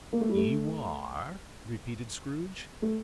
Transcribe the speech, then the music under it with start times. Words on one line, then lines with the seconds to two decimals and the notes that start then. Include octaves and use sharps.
"You are?" repeated Scrooge.
0.13 A#3
0.21 A3
0.29 G3
0.37 A3
2.82 A3